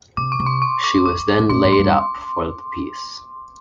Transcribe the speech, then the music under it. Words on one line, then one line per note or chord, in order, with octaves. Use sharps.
She was then laid up for the peace.
C3 D6
C#6
C3
C6
C#6
D6
D6
A2
A#2 C6
G#2
C6
G2